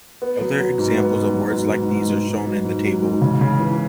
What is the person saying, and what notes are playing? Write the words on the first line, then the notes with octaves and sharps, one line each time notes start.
Other examples of words like these are shown in the table.
B3
F#3
F#3
G#2
B3
G#2
F#3
G#2
G#2
G#2
G#2
G#2
F#3
G#2
F#3
G#2
C#3
C#3
E3